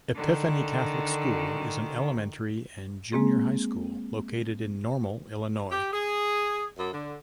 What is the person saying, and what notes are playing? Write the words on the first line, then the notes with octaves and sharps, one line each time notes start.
Epiphany Catholic School is an elementary and junior high school located in Normal, Illinois.
D3 D#3
G#3 A#3 C4 G#4
G4
G#4
F#2
D3